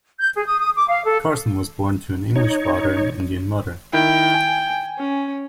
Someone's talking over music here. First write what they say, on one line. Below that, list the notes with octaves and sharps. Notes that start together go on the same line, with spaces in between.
Carson was born to an English father and Indian mother.
G6
G#4
D#6
D#6
D6
F5
A4
D#4 C#5
D#3 E4 G5
G#5
C#4